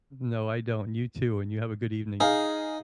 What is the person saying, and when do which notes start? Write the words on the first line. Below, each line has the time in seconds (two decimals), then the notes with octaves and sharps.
No, I don't, and you too, and you have a good evening.
2.20 D#4 G#4 F5